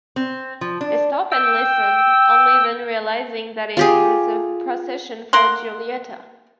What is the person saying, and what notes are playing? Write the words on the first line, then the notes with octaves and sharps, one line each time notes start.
They stop and listen, only then realising that it a procession for Giulietta.
C4
F3
D4
G5 E6
F4 G4 G#4
A#3 A#4 F#5 C6